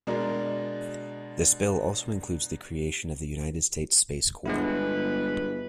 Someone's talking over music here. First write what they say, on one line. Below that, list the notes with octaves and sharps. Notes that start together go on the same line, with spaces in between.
This bill also includes the creation of the United States Space Corps.
B2 G#3 D4 A#4
G1 G#3 B3 E4 B4